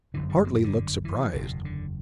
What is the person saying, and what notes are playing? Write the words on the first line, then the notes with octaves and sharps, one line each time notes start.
Hartly looked surprised.
G1 F#2 D3 E3
G3
F#3
E3
D3
E3
F#1 E2 B2
D3